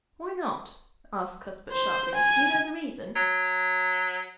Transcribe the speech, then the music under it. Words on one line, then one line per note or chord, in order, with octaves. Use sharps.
"Why not?" asked Cuthbert sharply; "do you know the reason?"
C5
G#5
F#3